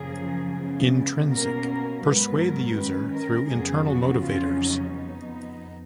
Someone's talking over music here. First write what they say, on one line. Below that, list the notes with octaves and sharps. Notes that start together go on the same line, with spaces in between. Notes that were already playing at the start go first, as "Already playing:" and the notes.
Intrinsic: Persuade the user through internal motivators.
Already playing: F#2 C#3 F3 A#3 C#4 G#4
C#3 G#3 B3
B2 A#3 C#4 A#4
G#2 F#3 B3 B4
A#4
D#3 G#3 C#4 B4
A#4
F2 C#3 F#3 B3 G#4
F#4
F2 C#3 F#3 C#4 F4
D#4
F2 F3 B3 D#4